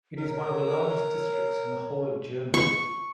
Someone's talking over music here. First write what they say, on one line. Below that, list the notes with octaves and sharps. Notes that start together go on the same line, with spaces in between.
It is one of the largest districts in the whole of Germany.
A#4 C#5
C#6